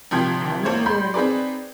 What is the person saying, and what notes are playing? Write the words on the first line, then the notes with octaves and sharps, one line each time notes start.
I wonder.
G#1 C3 F3 G5 C6 G#6
A1 C5 C#5 G#6
B5 C6 G6
C4 D#4 G#4 B4 D5